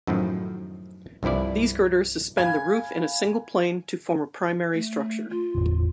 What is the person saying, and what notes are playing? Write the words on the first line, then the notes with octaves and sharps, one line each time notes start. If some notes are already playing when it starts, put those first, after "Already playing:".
These girders suspend the roof in a single plane to form a primary structure.
F#2 A2 D#3 F3
C2 G2 F3 E4 D5
F5 G#5 B5 G#6
A3
F4
G1 E2 A2